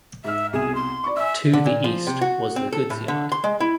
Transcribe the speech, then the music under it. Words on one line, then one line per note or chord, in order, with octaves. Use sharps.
To the east was the goods yard.
G#2 E5 F6
C2 B2 G#4 E7
C6
D5 B5 C#6
E5 G#5 E6
D3
A#2
F3
C3
F#4
C4
A4
A2
D3
C6
G#3
E4